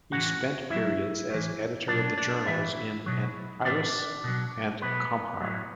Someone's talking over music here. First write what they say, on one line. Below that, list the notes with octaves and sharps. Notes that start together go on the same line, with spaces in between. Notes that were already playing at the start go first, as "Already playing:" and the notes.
He spent periods as editor of the journals "An Iris" and "Comhar".
A2 E3 F#4 F#5
A2 F#3 E4 E5
A2 E3
B2 F#3 D4 D5
D4 D5
A2 E3 E4 E5
B2 F#3
A2 E3 D4 D5
B2 F#3
B2 F#3 B3 B4
A2 F#3